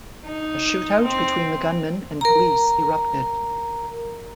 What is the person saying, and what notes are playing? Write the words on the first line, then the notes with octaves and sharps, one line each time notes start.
A shootout between the gunmen and police erupted.
D#4
C4
A#4 A#5